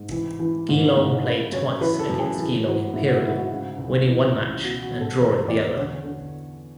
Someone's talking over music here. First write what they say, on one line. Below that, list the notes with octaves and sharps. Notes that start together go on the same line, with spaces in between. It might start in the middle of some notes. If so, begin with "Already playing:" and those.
Geelong played twice against Geelong Imperial winning one match and drawing the other.
Already playing: G#2
E3
E3
G#2
G#2
C#3 B4
F#2 C#5
E3 B4
A4
F#2
G#4
E3
E3 F#4
G#2 E4
F#4
G#2 E4
F#4
C#3
C#2
E3
C#2
B2 F#4
F#4
B2
A4
E2 B4
E2 D5
D3 C#5
D3